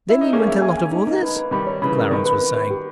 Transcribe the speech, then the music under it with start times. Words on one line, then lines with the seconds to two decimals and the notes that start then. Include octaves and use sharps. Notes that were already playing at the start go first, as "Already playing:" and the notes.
"Then in went a lot of others," Clarence was saying.
0.09 E4
0.21 D#4
0.33 A#3 C#4 G#4
0.48 E5
0.62 G#5
0.77 G#5
0.92 D#4
1.07 D#4
1.23 B4
1.37 B4
1.51 D#3 G3 B5
1.67 C#5
1.82 C#3 E3 B5
1.96 A#4
2.11 D#3 B4
2.26 B4
2.41 B4
2.56 B4
2.70 G4